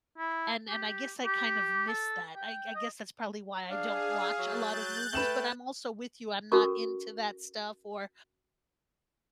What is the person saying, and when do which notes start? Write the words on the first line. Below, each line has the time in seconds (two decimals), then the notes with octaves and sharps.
and and I guess I kind of missed that. I I guess that's probably why I don't watch a lot of movies, but I'm also with you, I'm not into that stuff or
0.18 E4
0.70 G4
1.25 G4
1.88 A4
2.36 G5
2.75 D#5
3.71 D4 G#4 F5
4.39 F#3 F#6 G6 A6
5.13 A3 B4 G5 E7 F#7
6.52 C#4 F#4 A4 A#4 C#6